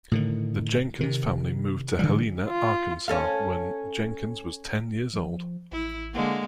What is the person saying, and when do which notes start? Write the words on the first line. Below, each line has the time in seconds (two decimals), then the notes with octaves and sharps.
The Jenkins family moved to Helena, Arkansas, when Jenkins was ten years old.
0.11 A2 D3 D#3
1.01 C3 D#3
1.99 D3 E3 G3
2.48 F4
3.08 C#4 A4 F5
5.13 F3
5.72 A1 E4
6.13 D3 G#3 A#3